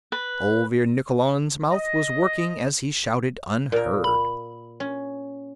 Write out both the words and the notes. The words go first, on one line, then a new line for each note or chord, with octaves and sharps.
Olvir Nikkolon's mouth was working as he shouted unheard.
B4
D#5
A#2 A#4
B5
C#4